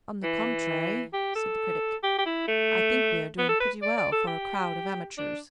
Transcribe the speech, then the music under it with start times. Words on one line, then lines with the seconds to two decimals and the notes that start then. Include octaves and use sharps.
"On the contrary," said the Critic, "I think we are doing pretty well for a crowd of amateurs."
0.23 E3
1.13 G4
1.35 A4
2.03 G4
2.18 G4
2.26 E4
2.48 A3
3.38 B3
3.49 A4
3.60 B4
3.82 D5
3.98 D5
4.12 A4
4.27 G4
5.18 D4